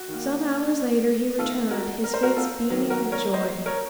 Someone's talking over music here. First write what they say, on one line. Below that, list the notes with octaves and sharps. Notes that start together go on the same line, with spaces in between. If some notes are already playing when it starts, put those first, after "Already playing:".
Some hours later he returned, his face beaming with joy.
Already playing: F#4
D#3 A#3
D#3 A3 C4 F4 A4
F#4 A#4
A#4
C5
F#4 A#4
F4 A4
D#3 F#3 A#3
F#4 A#4
A#4 C#5
C5 D#5
A#4 C#5